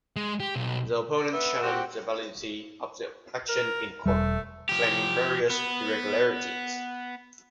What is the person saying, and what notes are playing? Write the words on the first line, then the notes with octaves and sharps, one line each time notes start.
The opponents challenged the validity of the election in court, claiming various irregularities.
G#3
G4
B1
D5
B3 E5
C4 F#4 G4
A#4
E1 G3 A3
F3 G4
B3